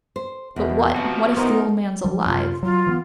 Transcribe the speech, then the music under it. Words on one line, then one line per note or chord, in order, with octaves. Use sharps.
But what, what if the old man's alive?
C5
E2 B2
C3 F3 C4 F#4
F#2 B3 D#4 A#4 C5
F3 G3
F#2 C3 F4
F#3 F4
E3 A#3 B3